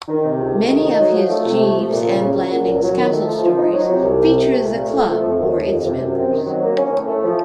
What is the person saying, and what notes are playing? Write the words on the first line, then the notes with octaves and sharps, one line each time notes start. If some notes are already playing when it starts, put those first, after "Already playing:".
Many of his Jeeves and Blandings Castle stories feature the club or its members.
D#3
C3
C#2
A3
D#3
D#4
F#3
F3
A3
C3
A3
F3
A#2
C#3
C#3
F#3
A#2
C#2
F#3
D#3
A3
F3
F3
D#4
F#3
C3
C2
C3
C3
A3
A#2
A3
A3
F3
F2
D#2
D#2
F2
C3
F#2
C4
D#3
F#3
A#3
C#4
A2
A3
F3